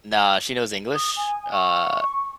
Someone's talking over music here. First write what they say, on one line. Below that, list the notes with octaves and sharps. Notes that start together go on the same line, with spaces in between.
nah, she knows English. Uh,
D#6
G#5
C#6